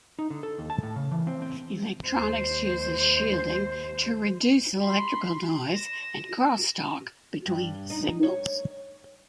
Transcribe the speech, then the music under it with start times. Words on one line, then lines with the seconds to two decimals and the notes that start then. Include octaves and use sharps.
Electronics uses shielding to reduce electrical noise and crosstalk between signals.
0.19 D#4
0.30 D3
0.43 A4
0.58 D#2
0.70 A5
0.83 A2
0.96 C#3
1.11 E3
1.27 C4
1.42 C4
2.08 D#2 C5
4.80 B5 C6
5.68 A#6 E7
7.46 G2
7.90 D#4
8.23 C#5